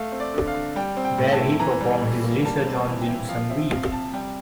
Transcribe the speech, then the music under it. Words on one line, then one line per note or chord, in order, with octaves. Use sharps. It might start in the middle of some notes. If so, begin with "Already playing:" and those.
There he performed his research on jimsonweed.
Already playing: A3 F5
C4
D5
D3
F5
D3
G3 G5
C4
G5
A2
A5
E4
E3 A#5
G3
A2
A#3
G3 A5
C4
A5
E3
G5
E4
F3 F5
C4 E5
C3 F5
C3 A5
G3 G5